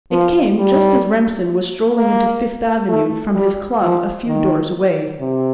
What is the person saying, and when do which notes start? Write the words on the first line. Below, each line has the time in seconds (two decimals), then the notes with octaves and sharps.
It came just as Remsen was strolling into Fifth avenue from his club a few doors away.
0.11 F3
0.58 G3
1.97 A#3
2.89 A3
3.35 G3
3.82 F3
4.27 D#3
5.20 C3